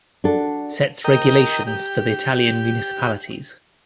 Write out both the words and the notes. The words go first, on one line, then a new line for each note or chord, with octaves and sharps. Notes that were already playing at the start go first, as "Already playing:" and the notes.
Sets regulations for the Italian municipalities.
D4 F#4 A4
A#4 D#5 G5
G4